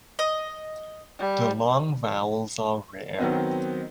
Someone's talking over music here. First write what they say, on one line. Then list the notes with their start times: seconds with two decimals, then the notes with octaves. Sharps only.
The long vowels are rare.
0.19 D#5
1.19 G3
3.18 D#3 F#3 B3 C4 D#4